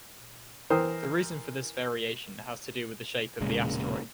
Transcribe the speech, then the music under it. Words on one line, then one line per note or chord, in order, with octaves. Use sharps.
The reason for this variation has to do with the shape of the asteroid.
E3 A#4 C5 G5 A#5 D#6
E1 A#2 C#3 G#3